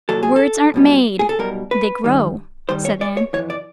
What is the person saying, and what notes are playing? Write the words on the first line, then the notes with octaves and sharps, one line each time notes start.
"Words aren't made--they grow," said Anne.
C2 A#2 F#3 A4
G#4
A4
B1 B2 G3
G#4
A4
B1 B2 G3 A#4
B4
G2 D#3 G3
G2 D#3 G3 C5
C#5
D5
C#5
F2 C#3 E3 C#5
D5